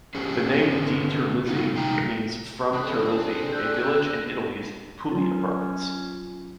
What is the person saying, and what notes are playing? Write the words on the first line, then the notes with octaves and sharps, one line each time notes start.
The name DiTerlizzi means "from Terlizzi", a village in Italy's Pulia province.
C#4 D4 G4 G#4 C5 C#5
D3 B3 C#4
C#3 G3 A3 B3 D#4 F4
C3 G#3 D#4 G5 A#5
C4 D4 G#4 A4 B5 D#6 F#6
D5 E6 F#6 G6
F#3 C#4 F4